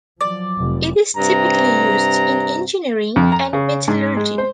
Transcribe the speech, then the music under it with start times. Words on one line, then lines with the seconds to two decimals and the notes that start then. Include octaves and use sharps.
It is typically used in engineering and metallurgy.
0.21 F3 F#3 D5
0.57 F1
1.17 G2 C3 A#5
3.16 F2
3.32 A#5
3.53 C#3
3.88 G#2
4.17 G#3
4.38 C5